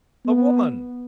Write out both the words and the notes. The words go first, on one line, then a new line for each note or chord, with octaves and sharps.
The woman!
B3